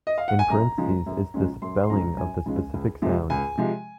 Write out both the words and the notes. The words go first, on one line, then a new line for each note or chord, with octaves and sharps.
In parentheses is the spelling of the specific sound.
D#5
F5
F#5
G#5
F#2 A#5
C#3 F3 G#3 C#4
F#2
C#3 F3 G#3 C#4
F#2 C6
C6
C#3 F3 G#3 C#4 A#5
F#2 G#5
C#3 F3 G#3 C#4
C#2
C3 F3 G#3
C#2 G#5
C3 F3 G#3